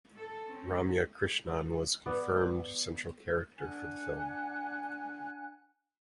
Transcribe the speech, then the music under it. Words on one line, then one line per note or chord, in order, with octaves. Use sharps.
Ramya Krishnan was confirmed central character for the film.
A4
C4 C#4
B3 D5
D4 F#5 G#5 F#6